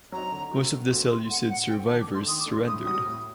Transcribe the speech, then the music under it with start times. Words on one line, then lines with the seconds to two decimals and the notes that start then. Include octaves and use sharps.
Most of the Seleucid survivors surrendered.
0.12 F#3 C4 D#4 A#5
0.32 D3
0.52 A3 C4 F#4
0.71 D3
0.91 A3 C4 F#4
1.10 A2 C6
1.30 A3 C4 F#5
1.49 A2 F#5
1.68 A3 C4 G5
1.88 D#3 A5
2.01 D6
2.07 A3 D4
2.14 C6
2.27 D#3 D#6
2.40 D6
2.46 A3 D4
2.52 C6
2.66 A2 D#6
2.85 G3 C4 F#4 D#6
3.05 A2